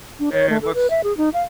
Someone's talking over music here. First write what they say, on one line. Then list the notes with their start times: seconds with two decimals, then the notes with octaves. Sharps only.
And let's
0.20 D4
0.33 C#5
0.50 A3
0.62 A4
0.74 B4
0.90 E5
1.04 G#4
1.17 D#4
1.34 F5